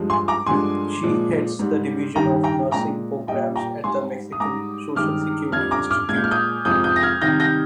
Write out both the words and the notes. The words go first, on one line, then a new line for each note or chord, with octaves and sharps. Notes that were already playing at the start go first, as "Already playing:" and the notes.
She heads the Division of Nursing Programs at the Mexican Social Security Institute.
Already playing: G2 F3 G#3
G#5 C6
A#5 D6
G2 D3 F3 G#3 G#5 C6
A#2 F3 G#3
G#2 G3
G2 D#3 G3 G5 A#5
G5 A#5
A#2 G#3 G5 A#5
A#2 G3 D#5 G5
G5 A#5
G#2 G3 G#5 C6
D#6
G#2 G3 A#5 D6
G2 D#3 G#3 D6 F6
F2 D3 G3 F6 G#6
A#5 D6
D6 F6
A#2 G#3 G#6
G6
F6
D#6 G6
F2 C3 F3 G#3 D#6 G6
D#6 G6
A#6
F6 G#6
C3 D#3 G3 G6 A#6
G6 A#6